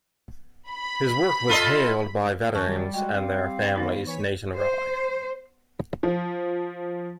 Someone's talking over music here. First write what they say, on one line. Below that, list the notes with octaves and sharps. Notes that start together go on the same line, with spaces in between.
His work was hailed by veterans and their families nationwide.
B5
F4 A4 D#5
E2 C#4 A5 C#6
D#3 G3 D5
G#3 F#4 G5
C4 F5
D#3 B3 D#4
E3 C#5 B6
C5
F3